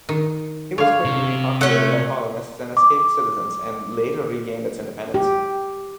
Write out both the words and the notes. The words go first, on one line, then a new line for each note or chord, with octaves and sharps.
It was quickly repopulated by colonists and escaped citizens, and later regained its independence.
D#3
D3 C#5 F5
C3
A3 C#4 F#5
D6
G4